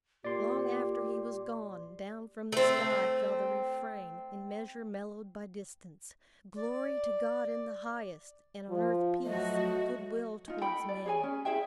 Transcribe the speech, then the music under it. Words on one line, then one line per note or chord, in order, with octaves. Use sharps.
Long after he was gone, down from the sky fell the refrain in measure mellowed by distance, "Glory to God in the highest, and on earth peace, good-will towards men."
A#2 G4 D5 C6
A3 C4
D5
F3
F#3 A3 F#4 D#5
D#4 F4
A4 G5 B5
D5
G#4 C#5 G#5
C#4
E4 G#4 E5 G5